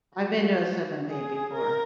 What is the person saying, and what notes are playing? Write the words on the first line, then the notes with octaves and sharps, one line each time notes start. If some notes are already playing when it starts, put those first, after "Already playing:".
I've been to a sip and paint before.
F#4
G#4
A#4